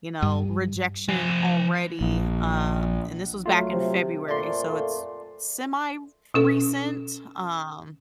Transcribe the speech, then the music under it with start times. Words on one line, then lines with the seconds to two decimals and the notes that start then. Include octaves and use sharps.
you know, rejection already, um, and this was back in February, so it's semi fr recent, um,
0.22 G2
1.08 F3 G#5
2.01 A#1
3.46 F#3 A3 F4
3.71 C3
4.28 F2 A#2 A3 D5 C6
6.34 B2 C#4 A4